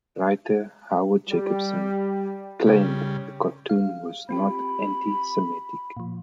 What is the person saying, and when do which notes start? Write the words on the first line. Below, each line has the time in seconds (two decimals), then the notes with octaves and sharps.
Writer Howard Jacobson claimed the cartoon was not antisemitic.
1.29 G3
2.67 C#3 G3
3.69 F5
4.29 C4 F4 G4 B5
5.97 A#2 F3